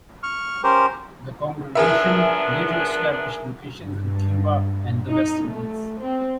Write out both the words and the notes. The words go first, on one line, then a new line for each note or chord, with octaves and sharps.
The congregation later established locations in Cuba and the West Indies.
C#6 F6
C#4 G4 A#4 C5
F3 B3 D4 G#4 A#4 E5
G2
D#4
A3
C4